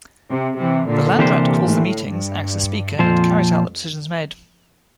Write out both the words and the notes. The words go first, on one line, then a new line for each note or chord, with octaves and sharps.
The Landrat calls the meetings, acts as speaker, and carries out the decisions made.
C3
C3 E3
A#2 D3
C3 E3 A#3 D4 G4 C5
A2
G2
F2 A#2 F3 C4 F4 C5